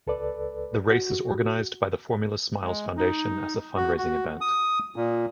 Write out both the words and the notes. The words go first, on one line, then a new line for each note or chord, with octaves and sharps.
The race is organised by the Formula Smiles Foundation as a fundraising event.
C#2 A4 B4 D5
F#4
G#3
D#4
F#4
F#4
D#6
A#2